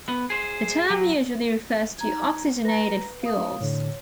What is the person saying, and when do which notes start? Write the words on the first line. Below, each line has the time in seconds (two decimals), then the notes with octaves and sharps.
The term usually refers to oxygenated fuels.
0.09 B3
0.30 G#4 C5
0.90 F#3
1.99 D#4 A#5 G#6
2.65 B4 A#5 A#6
3.23 F5 D#6
3.61 A2 D3 C#5